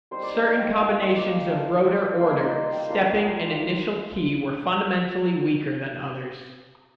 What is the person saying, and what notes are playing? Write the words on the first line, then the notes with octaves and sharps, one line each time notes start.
Certain combinations of rotor order, stepping and initial key were fundamentally weaker than others.
G3 C4 D#4 C5
D5
D#5
F5
G5
F5
A#3 D#4 G5
F5
D#5
D5
A3 D4 F4
C5
G3 A#3 D#4 C5
D5
D#5
D#5
G5
G3 A#3 D4 F4 F5
F5
F5
G5